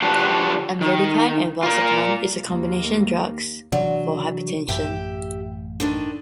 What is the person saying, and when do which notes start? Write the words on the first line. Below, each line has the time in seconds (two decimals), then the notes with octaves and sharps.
Amlodipine and valsartan is a combination drugs for hypertension.
0.02 D3 F3 D4 F#4 G4 B4
0.81 D#3
1.63 F4 A#4
2.49 D#2 A#3
3.72 C3 E3 F#3 D4 D5 F#5
4.68 A1 F#2 G4 E5 G5
5.80 D3 D#3 D4